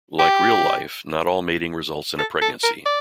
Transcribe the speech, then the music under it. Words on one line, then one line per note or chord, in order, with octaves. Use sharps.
Like real life, not all mating results in a pregnancy.
G4
A4
A4
A#4
D5